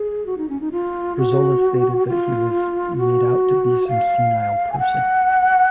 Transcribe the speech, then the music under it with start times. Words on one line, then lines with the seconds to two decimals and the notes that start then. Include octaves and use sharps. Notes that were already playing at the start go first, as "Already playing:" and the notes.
Brizola stated that he was "made out to be some senile person".
Already playing: G#4
0.26 F#4
0.38 D#4
0.49 C#4
0.60 D#4
0.72 F4
1.17 F#4
2.08 F4
2.98 F#4
3.88 F5
4.72 G#5
4.79 F#5